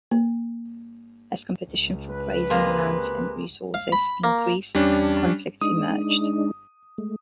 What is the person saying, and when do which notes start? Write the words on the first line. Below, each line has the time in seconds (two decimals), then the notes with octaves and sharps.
As competition for grazing lands and resources increased, conflicts emerged.
0.11 A#3
1.69 C#2
2.11 B4
2.50 C3 G#3 A#3
3.74 F5
3.92 B5
4.24 A#3
4.75 E2 G3 C#4 D4 A5
5.61 G#3 D4 D#4 D#6
6.98 G#3 A3